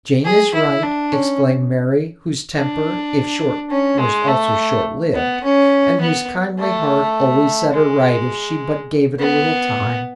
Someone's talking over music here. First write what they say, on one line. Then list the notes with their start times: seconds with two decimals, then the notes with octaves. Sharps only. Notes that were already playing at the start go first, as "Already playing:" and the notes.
"Jane is right," exclaimed Mary, whose temper, if short, was also short-lived, and whose kindly heart always set her right if she but gave it a little time.
0.24 G#4
0.54 E4
0.83 D4
1.12 C#4
2.56 D4
3.70 C#4
3.99 G#3
4.28 A3
5.14 B3
5.44 C#4
6.01 B3
6.59 A3
7.73 G#3
9.18 B3